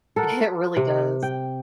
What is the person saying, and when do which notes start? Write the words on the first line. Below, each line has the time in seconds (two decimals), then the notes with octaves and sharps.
It really does.
0.16 A4 A#4 F#5
0.77 C3
1.23 G5